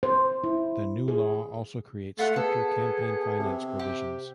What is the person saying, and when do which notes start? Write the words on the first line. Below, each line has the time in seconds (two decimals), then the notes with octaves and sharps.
The new law also created stricter campaign finance provisions.
0.03 C5
0.44 E4
1.08 G#4
2.18 A3 F4 F#5
2.36 B3 G#4 A4
3.40 C3
3.79 G4